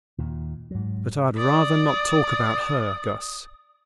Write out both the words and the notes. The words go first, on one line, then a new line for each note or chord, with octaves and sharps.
But I'd rather not talk about her, Guss.
D#2 A#2
G#2 F#3
D5 D#6